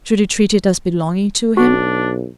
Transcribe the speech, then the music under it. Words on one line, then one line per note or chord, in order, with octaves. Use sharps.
Should he treat it as belonging to him?
B1 D4 F#4